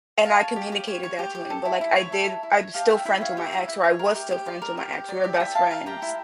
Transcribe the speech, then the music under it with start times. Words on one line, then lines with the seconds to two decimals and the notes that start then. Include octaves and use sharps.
and I communicated that to him. But, like, I did I'm still friends with my ex, or, I was still friends with my ex, we were best friends.
0.25 C#5 F5 A5
0.40 C#5
0.56 G4
0.72 G4
0.88 C#5
1.03 C#5
1.19 G4
1.35 G4
1.50 A4
1.65 E4
1.81 E4
1.97 C#5
2.12 A4
2.27 E4
2.43 E4
2.59 C#5
2.74 G4 F5 A5
2.90 E4 E5 G5
3.05 E4 E5 G5
3.21 C#5 F5
3.37 G4 E5
3.52 E4
3.69 E4
3.84 C#5
3.99 A#4
4.15 G4
4.31 G4
4.46 D5
4.62 A#4
4.77 G4
4.93 G4
5.09 D5
5.24 G4 E5
5.34 A5
5.40 E4 E5 G5
5.55 E4 F5 A5
5.71 A#4 F5 A5
5.86 G4 G5 A#5
6.02 E4